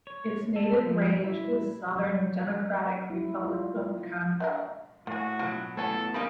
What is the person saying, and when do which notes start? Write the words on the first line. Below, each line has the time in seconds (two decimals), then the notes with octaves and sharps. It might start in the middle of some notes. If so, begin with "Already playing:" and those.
Its native range is southern Democratic Republic of the Congo.
0.07 C#5
0.56 A4
0.83 F3
1.24 E4
1.96 F#3
3.10 E4
3.45 F4
4.40 F#3 D4 A#4
5.07 A2 A#3 F#4 G#5
5.39 B2 F#3 F4
5.77 A2 B3 A4 C#5 G#5 A5
6.14 G3 A#3 C4 C#4 D#4 C5 B5